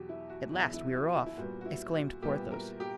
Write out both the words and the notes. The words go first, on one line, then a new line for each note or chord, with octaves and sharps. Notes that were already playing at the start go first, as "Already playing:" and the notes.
"At last we are off!" exclaimed Porthos.
Already playing: E2 B2 F#3 F#4 G4
E4
F#4
E2 B2 F#3 E4
E4
F#4
E4
E4
A#2 G3 B3 F#4
F#4
E4
F#4
A#2 G3 B3 G4
A#4
G4